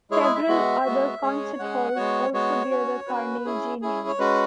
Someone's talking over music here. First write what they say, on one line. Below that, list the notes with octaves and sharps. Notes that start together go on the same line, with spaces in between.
Several other concert halls also bear the Carnegie name.
G#3 E4 G#4 C#5
G#4
E5
G#3 B3 F#4
G#3 B3 F#4
G#3 C#4 G#4 C#5
G#3 C#4 G#4 F#5
G#3 B3 F#4 C#5
G#3 B3 F#4 C#5
C#4 F#4
C#4 F#4 B4
C#4 E4 G#4
C#4 E4 G#4
C#5
G#3 C#4 F#4 B4